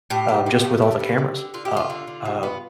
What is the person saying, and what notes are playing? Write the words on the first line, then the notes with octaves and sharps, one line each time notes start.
Um, just with all the cameras up, uh,
A2 G4
A2
F3
A3
D3
B3
F3
D3
D3 F4
G4
A3
F4
D3
D3
C3
B3